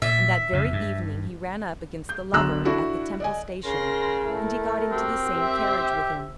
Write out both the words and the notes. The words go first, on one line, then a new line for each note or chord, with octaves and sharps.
And that very evening he ran up against the Lover at the Temple Station, and he got into the same carriage with him.
A#2 E5
F2 C#3
G2
G6
B1 D3 A#5 E6 F#6
D4 E4 F#4 A4
D5 D#5 G#5
C#3 A#4 C6 A#6
A3 E4
C4 F#4 G4
G4 C5 E5